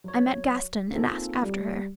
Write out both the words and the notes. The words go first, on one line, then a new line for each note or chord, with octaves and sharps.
I met Gaston and asked after her.
F#3 C#5
A#3 C4 D#4 F4 G#4 A4
G3